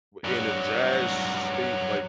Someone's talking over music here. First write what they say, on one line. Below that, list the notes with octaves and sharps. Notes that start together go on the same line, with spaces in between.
in a jazz state? Like,
G2 F#3